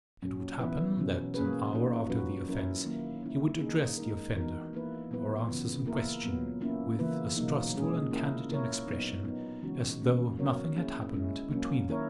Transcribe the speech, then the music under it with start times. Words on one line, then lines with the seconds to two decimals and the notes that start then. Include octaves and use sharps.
It would happen that an hour after the offense he would address the offender or answer some question with as trustful and candid an expression as though nothing had happened between them.
0.22 A#2 F#3 C#4
0.59 E3 B3 E4 B4
0.97 B2 F#3 C#4
1.34 A#3 C#4 G#4 B4
1.73 A#2 A#3 D#4 F#4
2.10 F#3 C#4 F#4 B4
2.48 F#3 C#4 E4 A#4
2.85 D#3 F#3 A#3 E4
3.23 A#3 C#4 E4
3.60 D#3 A#3 D#4 G#4
3.98 G#3 D#4 A#4
4.35 E3 B3 D#4 F#4 A#4
4.73 A#3 E4 B4
5.11 A#2 F#3 B3 E4 B4
5.49 C#3 E3 B3
5.86 A#3 E4 A#4
6.23 A#2 F#3 B3
6.61 A#3 C#4 E4
6.99 C#3 E3 A#3 E4 B4
7.37 B2 F#3 A#3 D#4
7.74 A#2 G#3 C#4 G#4
8.11 A#3 C#4 E4 A#4
8.49 A#3 E4 A#4 C#5
8.87 A#2 F#3 B3 D#4
9.24 F#3 B3 D#4
9.62 C#3 E3 G#3 C#4 F#4
10.00 D#3 A#3 C#4
10.37 F#3 B3 F#4 A#4 C#5
10.75 A#3 C#4 E4 G#4
11.12 G#3 C#4 E4
11.50 F#3 A#3 C#4
11.88 D#3 A#3 E4 A#4 C#5